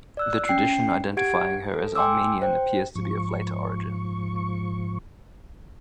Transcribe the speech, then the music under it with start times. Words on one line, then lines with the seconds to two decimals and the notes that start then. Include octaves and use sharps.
The tradition identifying her as Armenian appears to be of later origin.
0.17 D5 E6 F#6
0.48 C#4 G5 C7
1.17 G4 F#5 G#6 D7
1.74 A4
1.95 G5 G#5 C6 D6 E6
2.42 C5 G5
2.95 G#2 F3 C#6